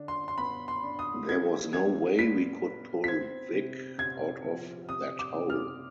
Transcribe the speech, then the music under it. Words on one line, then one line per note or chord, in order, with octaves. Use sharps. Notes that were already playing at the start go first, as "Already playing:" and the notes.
There was no way we could pull Vik out of that hole.
Already playing: D3 D4
C6
C6
B3 B5
C6
D4
D#6
G3 G#6
B3 G#6
B3 B6
B3
B6
C4 G#6
C3
C3 G#6
F3
C3 D#6
D6
C3
F6